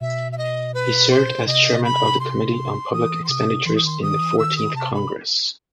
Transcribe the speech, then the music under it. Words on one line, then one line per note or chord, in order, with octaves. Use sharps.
He served as Chairman of the Committee on Public Expenditures in the Fourteenth Congress.
B2 E5
E5
D#5
B4
C5
C3 D#5
B5
C6
E3 D#6
C6
C3 D#6
E3 C6
D#6
D#3 C6
D#3 D#6
E3
D#3 E6
D#6
C3 A5
B5